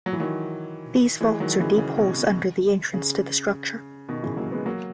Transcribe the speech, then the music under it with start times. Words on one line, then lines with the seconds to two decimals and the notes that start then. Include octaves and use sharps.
These vaults are deep holes under the entrance to the structure.
0.06 F#3
0.13 E3
0.20 D#3 F#3
1.21 E3 G#3
1.40 D#3 F#3
1.60 C#3 E3
1.78 C#3
1.98 B2
2.18 B2
2.94 C#3
4.09 B2 D#3
4.23 C#3 E3
4.37 F#3 A#3
4.52 G#3 B3
4.66 F#3 A#3